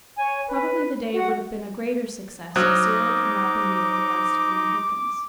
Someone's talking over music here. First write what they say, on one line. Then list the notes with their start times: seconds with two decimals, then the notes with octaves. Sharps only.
Probably the day would have been a greater success if Cyril had not been reading The Last of the Mohicans.
0.18 C#5 G#5
0.47 B4
1.14 F#4 F#5
2.56 F#3 D#4 C5 D6 D#6 F6